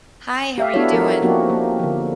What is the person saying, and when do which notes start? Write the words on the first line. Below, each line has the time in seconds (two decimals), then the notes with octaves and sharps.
Hi, how are you doing?
0.58 G4 E5 F5
0.74 B3 D4 E4 F#4 A4 C#5
0.92 F3 A4 A#4
1.22 F3 A#3 C4 D#4 F#4 G4
1.50 A#3
1.80 D3 F3